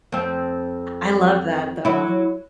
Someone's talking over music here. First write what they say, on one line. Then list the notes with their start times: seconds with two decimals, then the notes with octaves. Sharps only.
I love that though,
0.12 F2 C4
1.85 F#3 E4